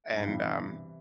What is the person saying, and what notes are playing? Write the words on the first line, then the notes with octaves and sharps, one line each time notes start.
and, um
G2
A2
G2 B2 E3
C3